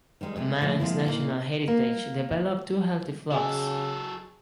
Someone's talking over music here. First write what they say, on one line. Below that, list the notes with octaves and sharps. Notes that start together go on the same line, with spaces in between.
Manx National Heritage developed two healthy flocks.
D#3 G3 G#3 D#4
C3 G#3 A3
A#2 C#3 F3 A3
C3 F3 G#3 A#3 E4
A#2 A#3 D#4
A#3
C#3 F#3 G#4 A4 D#5 G#5